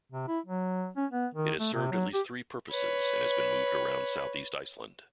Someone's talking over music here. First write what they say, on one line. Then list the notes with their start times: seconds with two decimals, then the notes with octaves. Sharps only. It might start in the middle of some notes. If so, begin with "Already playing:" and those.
It has served at least three purposes and has been moved around southeast Iceland.
0.12 C3
0.28 E4
0.46 F#3
0.97 C#4
1.11 B3
1.35 D#3
1.59 A3
1.74 C3
1.91 F#3
2.13 G4
2.71 B4 C#5